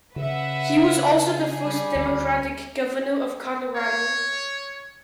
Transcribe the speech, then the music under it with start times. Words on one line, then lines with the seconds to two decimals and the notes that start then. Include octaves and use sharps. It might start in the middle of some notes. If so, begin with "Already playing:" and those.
He was also the first Democratic governor of Colorado.
0.16 C#3 B4 E5 F#5
1.26 G#4
1.63 G3
1.95 D2
3.75 C#5